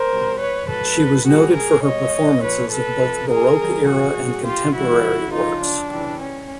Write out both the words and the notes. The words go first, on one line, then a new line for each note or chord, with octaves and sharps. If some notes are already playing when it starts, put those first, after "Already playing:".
She was noted for her performances of both Baroque era and contemporary works.
Already playing: A#4 C5
B2 G3
B4 C#5
A2 F#3 A4 B4
A#2 G3 F#4 G#4
G#4 A#4
B2 G3 C#5 D#5
A#2 F3 B4 C#5
A4 B4
C3 F3
G#4 A#4
C#3 E3 G3
F#4 G#4
A2 F#3
F4 G4
C#3 E3 G3 E4 F#4
C#3 F3 D#4 F4
D4
C#3 E3 G3
C#4